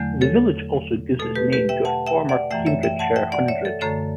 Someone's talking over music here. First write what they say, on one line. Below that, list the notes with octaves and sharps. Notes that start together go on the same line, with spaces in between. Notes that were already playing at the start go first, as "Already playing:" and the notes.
The village also gives its name to a former Cambridgeshire hundred.
Already playing: E2 D3 F#3 A3
A4 C#5
B2 A3 A4
G4 B4
G4 B4
E5 G5
F#5 A5
E5 G5
D5 F#5
F#2 E3 A3 E5 G5
C#5 E5
E5 G5
F#5 A5
E5 G5
D5 F#5
C#5 E5
A4
F#2 D3 A3 A4 C#5